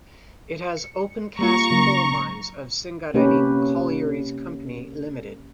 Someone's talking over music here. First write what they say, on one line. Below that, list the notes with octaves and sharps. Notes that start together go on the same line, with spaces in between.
It has open cast coal mines of Singareni Collieries Company Limited.
C#7
G3 A#3 F4 A#5 C#6
C#3 F#3 A#3
C3 A#3 C#4 G4 B4